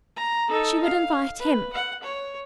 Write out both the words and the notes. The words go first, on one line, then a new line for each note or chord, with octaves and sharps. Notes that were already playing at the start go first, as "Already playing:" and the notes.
She would invite him.
A#5
D#4 A4
F5
B4
F#5
C#5